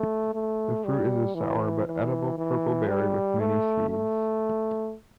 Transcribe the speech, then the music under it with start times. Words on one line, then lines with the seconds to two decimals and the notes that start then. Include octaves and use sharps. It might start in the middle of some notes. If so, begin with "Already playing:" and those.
The fruit is a sour but edible purple berry with many seeds.
Already playing: A3
0.34 A3
0.84 G3
1.35 E3
1.87 E3
2.38 E3
2.88 G3
3.40 A3
3.90 A3